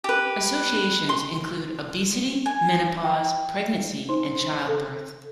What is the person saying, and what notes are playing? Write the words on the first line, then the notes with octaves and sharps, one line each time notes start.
Associations include obesity, menopause, pregnancy and childbirth.
G4 B4
C6
G#5
G5
D#4 C5 C6
A4